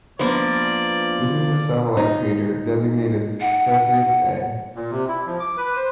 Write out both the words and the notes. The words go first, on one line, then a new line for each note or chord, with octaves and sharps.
This is a satellite crater designated Cepheus A.
F3 A#3 B3 D4 B4 D5
D#4
F#5
A#2
C3
E4
F3
D6
B4
C5